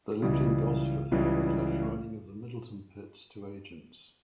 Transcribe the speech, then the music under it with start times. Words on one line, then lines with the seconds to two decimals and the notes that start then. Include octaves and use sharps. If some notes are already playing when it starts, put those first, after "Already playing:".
They lived in Gosforth and left running of the Middleton pits to agents.
0.22 C#2 C#3 E3 G3
1.12 C#2 C#3 E3 G3